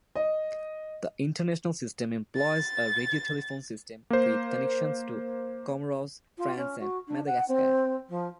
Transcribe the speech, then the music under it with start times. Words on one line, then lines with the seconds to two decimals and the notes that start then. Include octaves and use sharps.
The international system employs a radiotelephone system, with connections to Comoros, France and Madagascar.
0.15 D#5
2.35 A6
4.10 A#3 C5
6.38 F4
6.56 C#4
6.80 F#4
7.08 D4
7.26 F#5
7.48 C4
8.08 F3